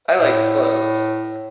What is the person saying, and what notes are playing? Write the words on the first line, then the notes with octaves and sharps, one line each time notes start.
I like clothes.
A2